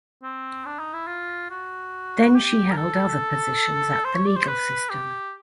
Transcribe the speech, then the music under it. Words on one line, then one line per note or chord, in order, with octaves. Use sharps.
Then she held other positions at the legal system.
C4
D4
D#4
E4
F4
F#4
G4
A#4
A4
C5
C#5
D5
C5
B4
G4